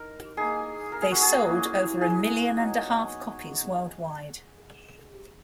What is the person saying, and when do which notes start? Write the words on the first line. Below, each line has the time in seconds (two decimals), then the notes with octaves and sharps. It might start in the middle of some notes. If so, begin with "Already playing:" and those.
They sold over a million and a half copies world-wide.
Already playing: D#4 A#4
0.37 A#3 D#4 G#4
0.92 A#4
1.02 G#4
1.12 F#4
1.22 G#4
1.47 A#3 C#4 E4
2.01 G#4
2.56 F#3 B3 D#4